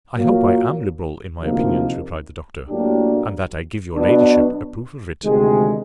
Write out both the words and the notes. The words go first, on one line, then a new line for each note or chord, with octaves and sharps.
"I hope I am liberal in my opinions," replied the doctor, "and that I give your ladyship a proof of it."
A#2 F#3 A#3
D2 C3 F3 A#3 D#4
A2 F#3 A#3 D4 G4
B2 F#3 B3 D4
D2 C3 D#3 G#3